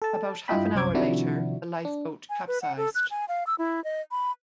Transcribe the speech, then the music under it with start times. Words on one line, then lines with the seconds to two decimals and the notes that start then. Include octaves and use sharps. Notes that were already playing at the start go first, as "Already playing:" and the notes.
About half an hour later the lifeboat capsized.
0.02 A4 A5
0.48 G2 E4 F4 D#5 G5 B5
0.75 C2 F#2 C5 D6 G#6
0.94 C3 D#3 F3 D4 E4 F#4
1.85 D4
2.30 G#5
2.48 B4
2.62 F#5
2.77 A4
2.95 F#6
3.11 G#5
3.28 F5
3.47 E6
3.58 E4
3.84 D#5
4.11 B5